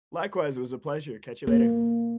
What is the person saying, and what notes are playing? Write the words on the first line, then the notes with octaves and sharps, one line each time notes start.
Likewise, it was a pleasure, catch you later.
A#3